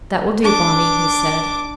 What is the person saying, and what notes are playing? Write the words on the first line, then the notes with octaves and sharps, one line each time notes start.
"That will do Bonni," he said.
D4 D6